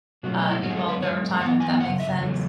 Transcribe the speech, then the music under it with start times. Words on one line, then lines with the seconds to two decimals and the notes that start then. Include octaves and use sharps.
uh evolved over time, if that makes sense.
0.23 B2 F#3 A3 C#4 F#4
0.50 E4
0.62 F#2 D3 G#3 C#4 F#4
0.70 G#4
0.76 A4
0.89 B4
1.02 F#2 D3 G#3 C#5
1.41 F#2 E3 B3 F#5
1.60 G#5
1.80 F#2 C#3 G#3 C#4 F#5
2.00 E5
2.19 E2 C#3 F#3 A3